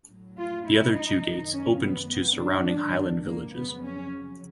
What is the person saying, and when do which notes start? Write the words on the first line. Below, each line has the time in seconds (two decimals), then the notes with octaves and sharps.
The other two gates opened to surrounding highland villages.
0.09 A2 F#3
0.38 F4
0.67 E4
0.94 D#4
1.24 F#2 D#3 F#3
1.53 C#4
1.81 B3
2.10 B3
2.38 G#2 D#3 F#3 D4
3.25 A#3
3.54 F2 C#3 F#3 B3
3.82 C#4